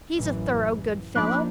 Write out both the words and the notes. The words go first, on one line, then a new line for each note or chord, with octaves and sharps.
He's a thorough good fellow.
A1 F#2 E3
F3 A#3 D4 D#4 B5 D6 F#6